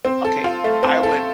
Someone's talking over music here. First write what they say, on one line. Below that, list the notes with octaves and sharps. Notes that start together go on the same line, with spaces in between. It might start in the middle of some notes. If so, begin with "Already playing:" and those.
okay, I would
C4
A4
F4
A3
C4
A4